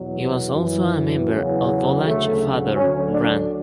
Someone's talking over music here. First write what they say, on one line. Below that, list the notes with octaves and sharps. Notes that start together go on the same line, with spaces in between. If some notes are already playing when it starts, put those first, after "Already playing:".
He was also a member of Volach father, Ran.
Already playing: E2 B2 F#3
F#2 E3
E2 C#3 F#3
D2 C#3 F#3 A3
D2 D3 F#3 C#4
D4